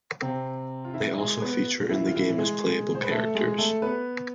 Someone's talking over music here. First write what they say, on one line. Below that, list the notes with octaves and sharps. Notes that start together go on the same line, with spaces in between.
They also feature in the game as playable characters.
C3 C4
F4
E3 E4
G#3 G#4
B3 B4
F4
E3 E4
F4
E3 E4
G#3 G#4
C5
B4
A3 A4
G#3 G#4
A3 A4
B3 B4